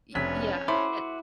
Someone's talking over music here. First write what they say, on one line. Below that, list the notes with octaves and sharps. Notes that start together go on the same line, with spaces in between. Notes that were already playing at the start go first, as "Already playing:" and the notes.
It yeah, and
F1 F#3 C#4 D4 B4 B6
A3 E4 F#4 C5 B5 D6